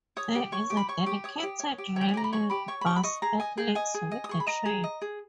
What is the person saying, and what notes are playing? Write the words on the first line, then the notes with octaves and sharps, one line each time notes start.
There is a dedicated rail linc bus that links with the train.
C#5 D#6
G4
C#5 C#6
G4
B5
C#5 C#6
G4
C#5 D#6
G4
C#5
G4
C#5 G5
G#5
G4 A#5
B5
C#5 C#6
G4 B5
C#5 C#6
B5
G4 C#6
B5
D#5 C#6
G#4 A#5
D#5 G#5
G#4 G5
D#5 G#5
G#4
D#5
D#6
G#4 C#6
B5
D#5 A#5
G#4
D#5
G#4